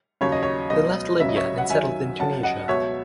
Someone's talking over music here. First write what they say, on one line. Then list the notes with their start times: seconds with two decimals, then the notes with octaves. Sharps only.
They left Libya and settled in Tunisia.
0.21 D#2 C#3 F#3 C#5
0.32 D#5
0.43 C#5
0.70 C#2 B2 F#3 D#5
1.20 C#2 C#3 F#3 E5
1.29 D#5
1.36 C#5 E5
1.58 F#5
1.70 F#2 D#3 F#3 E5 G#5
2.19 F#2 C#3 F#3 F#5 A5
2.43 D#5 F#5
2.68 C#2 B2 F#3 C#5 E5